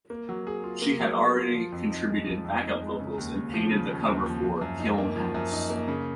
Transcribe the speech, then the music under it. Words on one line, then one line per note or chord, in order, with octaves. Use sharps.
She had already contributed backup vocals and painted the cover for "Kiln House".
A#3
F#3
G#4
F4
A#3
F#3
G#4
F4
F3
F2
D#4
G#3
F3
F2
D#4
G#3
C#3
D#2
D#2
F3
C#3
D#2
D#2
F3
F3
F#2
D#4
A#3
F3
F#2
D#4
A#3
C#3